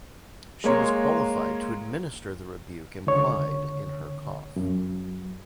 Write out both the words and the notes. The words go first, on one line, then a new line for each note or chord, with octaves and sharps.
She was qualified to administer the rebuke implied in her cough.
G#3 A#3 C#5 A#5 C6
C#2 D3 C#5
F#2